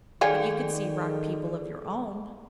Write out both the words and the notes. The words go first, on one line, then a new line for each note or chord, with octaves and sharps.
But you could see rock people of your own.
D#3 G#4 A4 C#5 D5 F5 G#5